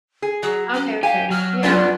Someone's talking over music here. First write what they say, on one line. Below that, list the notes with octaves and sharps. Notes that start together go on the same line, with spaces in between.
Okay, okay, yeah.
G#4
F#3 G#4
C#4
G4 F5 G#5
F#3 F6
B3 C#4 D4 F4